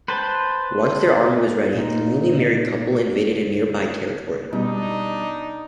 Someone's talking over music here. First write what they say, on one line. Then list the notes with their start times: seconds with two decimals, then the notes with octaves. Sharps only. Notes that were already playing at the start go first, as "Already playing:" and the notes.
Once their army was ready, the newly married couple invaded a nearby territory.
0.08 B4 C5 G5 A5
1.74 A#2 D#4
4.53 B2 G3 D4 D#4